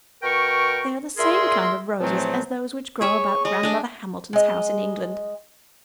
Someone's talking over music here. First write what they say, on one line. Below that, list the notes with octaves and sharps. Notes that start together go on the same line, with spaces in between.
They are the same kind of roses as those which grow about Grandmother Hamilton's house in England.
B2 A#4 G5 C#6
A#2 G#4 A#4 E5 C6
E2 A#2 F3 F#3 A3 C4
G#4 C#5 E5 C#6
G#3 D#5
G#3 D4
G#3 D#5